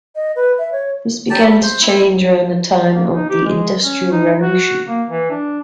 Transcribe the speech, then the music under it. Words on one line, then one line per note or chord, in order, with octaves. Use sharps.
This began to change around the time of the Industrial Revolution.
D#5
B4
E5
C#5
F#3 G4 D5 A5
G3
C5
C4 E4
A#3
D#4
G4
G#3
C#4
D#4
F#4
A#3
E3
D4